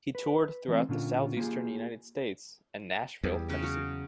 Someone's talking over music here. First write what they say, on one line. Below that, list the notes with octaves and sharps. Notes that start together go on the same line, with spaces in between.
He toured throughout the southeastern United States and Nashville, Tennessee.
B4
E3 A3 C4
A#2 D3 C#4 F4
A#3 F4 G4 G#4
E2 G3
C#3 A#4
F#3 F#4 C#5